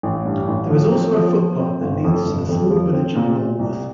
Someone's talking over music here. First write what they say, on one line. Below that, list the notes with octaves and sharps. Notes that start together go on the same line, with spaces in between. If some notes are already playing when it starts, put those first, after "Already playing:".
There is also a footpath that leads to the small village of Lolworth.
A1
G2
A1
F3
C4
F3
F3
C4
G1
F2
G1
F2
F3
C4
A#2
A#2
C2